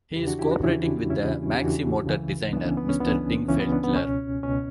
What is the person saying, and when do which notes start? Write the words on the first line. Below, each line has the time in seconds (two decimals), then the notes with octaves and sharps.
He is co-operating with the Maximotor designer, Mr. Dingfelder.
0.16 E2 C#3 E3 E4 G4
0.27 D4 F#4
0.39 E4 G4
0.51 D4 F#4
0.63 E2 C#3 E3 C#4 E4
1.10 E2 C#3 E3 C#4 E4
1.54 G4
1.58 E2 C#3 E3 D4 F#4
2.06 C#2 C#3 E3
2.53 C#2 C#3 E3 B3 D4
2.65 C#4
2.77 B3
2.89 C#4
3.00 C#2 C#3 E3 B3 D4
3.48 C#2 C#3 E3 C#4
3.60 B3
3.72 B3 D4
3.84 B3
3.95 C#2 B2 C#4
4.43 C#2 B2 C#4